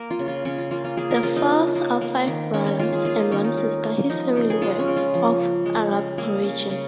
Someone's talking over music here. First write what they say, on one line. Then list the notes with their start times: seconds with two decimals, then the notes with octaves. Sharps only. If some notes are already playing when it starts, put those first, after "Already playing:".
The fourth of five brothers and one sister, his family were of Arab origin.
Already playing: A#3 A#4
0.11 F4
0.19 C#3
0.28 F4
0.45 C#3 C#4
0.58 F4
0.71 A#3 F4
0.84 F4
0.97 A#3 G#4
1.11 A#4
1.23 C#3 F4
1.36 D#4
1.49 C#3
1.75 A#3
2.01 A#3
2.27 D#3
2.54 D#3 C#4
2.67 C#4
2.79 A#3 F4
2.93 G#4
3.05 A#3 F4
3.18 D#4
3.31 D#3 C#4
3.44 D#4
3.57 D#3
3.83 A#3
4.10 F3 D#4
4.36 C#3
4.50 G#4
4.62 G#3 F4
4.79 C#4
4.88 C#3
4.97 F4
5.14 F3
5.40 C#3
5.66 G#3
5.92 C#3
6.18 A#3 G#4
6.44 C#3
6.70 C#3